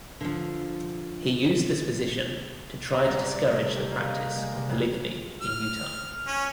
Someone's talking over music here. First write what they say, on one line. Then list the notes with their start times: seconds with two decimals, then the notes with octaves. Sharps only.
He used this position to try to discourage the practice of polygamy in Utah.
0.21 D3 F3
2.93 A#5
3.08 C2
3.31 D5
3.47 A#4
3.63 A4
3.76 G4
3.92 A#3
4.10 D#5
4.36 G#3
4.55 C3
4.69 F2
5.42 F6
6.27 C#4